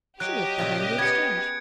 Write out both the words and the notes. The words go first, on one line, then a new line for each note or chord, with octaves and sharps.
She lived behind the Exchange.
F#3 G4 D#5 F#6 D7
A#2 C#3 E5
B3 G#4 G#6 C#7